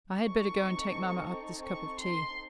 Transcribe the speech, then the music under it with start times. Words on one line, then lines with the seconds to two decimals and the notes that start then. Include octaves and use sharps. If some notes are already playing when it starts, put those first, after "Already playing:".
'I had better go and take mamma up this cup of tea.
0.16 C4 D#4 A4 C#6
1.63 C#6
2.00 C6